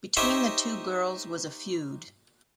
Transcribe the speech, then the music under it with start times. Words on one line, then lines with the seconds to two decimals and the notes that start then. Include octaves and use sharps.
Between the two girls was a feud.
0.17 D#4 G4 C5 C#5 D#5 E5